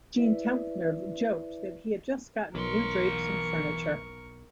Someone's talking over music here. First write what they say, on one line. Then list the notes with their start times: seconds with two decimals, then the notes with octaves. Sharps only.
Gene Telpner joked that he had just gotten new drapes and furniture.
0.16 E4 B4 D5 E5
2.55 B1 E3 A#4 C6 C#6